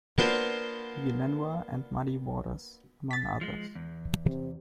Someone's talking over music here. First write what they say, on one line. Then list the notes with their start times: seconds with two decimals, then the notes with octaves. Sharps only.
B. Lenoir, and Muddy Waters, among others.
0.18 A#3 B3 D4 F4 C5
3.11 A6 B6
3.41 F3 G#3
3.75 E2
4.25 C3